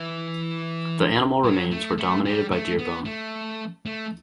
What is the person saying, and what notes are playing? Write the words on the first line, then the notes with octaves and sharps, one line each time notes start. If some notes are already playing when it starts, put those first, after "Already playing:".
The animal remains were dominated by deer bone.
Already playing: E3
F#3
A3
A3
G3
A3
B3
A3
A3